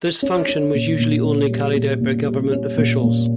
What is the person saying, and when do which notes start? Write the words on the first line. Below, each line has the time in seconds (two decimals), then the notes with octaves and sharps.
This function was usually only carried out by government officials.
0.22 C#4
0.48 C#4
0.74 A#2
0.99 A#2
1.24 C#4
1.50 G3
1.75 A#2
2.01 A#2
2.26 G3
2.51 C#4
2.77 A#2
3.03 A#2